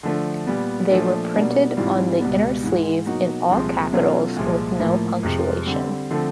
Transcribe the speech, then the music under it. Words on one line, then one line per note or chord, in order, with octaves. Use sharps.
They were printed on the inner sleeve in all capitals with no punctuation.
D3 F3 A3 D4
A#2 G3 B3
A#2 F3 A3 D4
B2 G3 A#3 D4
G#2 E3 G3 C4 F4
C#2 B2 G3 B3
G#2 E3 G#3
B2 F#3 A#3 D#4 F#4
C2 A#2 F3 G#3 C4
B2 F#3 A3 C#4 F4
C2 A#2 F3 G#3
A2 F3 A#3
F2 C3 F3 G#3
D3 G3 C4
D3 F3 A3 C4